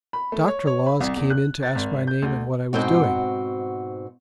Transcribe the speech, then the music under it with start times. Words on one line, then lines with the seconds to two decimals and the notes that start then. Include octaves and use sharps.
Doctor Laws came in to ask my name and what I was doing.
0.13 B5
0.32 A3
0.48 C#5
0.67 C#5
0.86 B5
1.00 C2
1.16 E2
1.30 F#6
1.63 A6
1.75 G#1
2.07 G6
2.22 D2
2.73 G#2 B2 C4 F#4